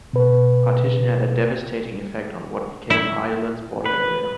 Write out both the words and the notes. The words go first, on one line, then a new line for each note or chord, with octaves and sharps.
Partition had a devastating effect on what became Ireland's border area.
B2 B4
E4
B4